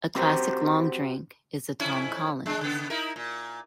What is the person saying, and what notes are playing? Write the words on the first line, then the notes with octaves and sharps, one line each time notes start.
A classic long drink is a Tom Collins.
C4 F#4 G4 A#4 C5
F2 C#4 E4
G#3 D4
C#3 B3
D#4 E4 A#4
A#2